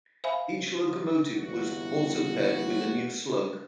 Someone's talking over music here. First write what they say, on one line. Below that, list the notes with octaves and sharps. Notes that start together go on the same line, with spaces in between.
Each locomotive was also paired with a new slug.
C5 E5 F5 G#5 B5
G1 E2 F#4